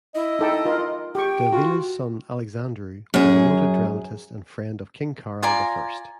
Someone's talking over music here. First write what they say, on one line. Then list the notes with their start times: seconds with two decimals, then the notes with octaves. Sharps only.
Davila's son Alexandru was a noted dramatist and friend of King Carol the First.
0.15 E4 D#5
0.39 D#4 A4 G5
0.65 F4 A#4
1.15 G4 G5 C#6
1.52 F4 F#4
3.14 F#2 G#4
5.43 F4 D5 G#5 A#5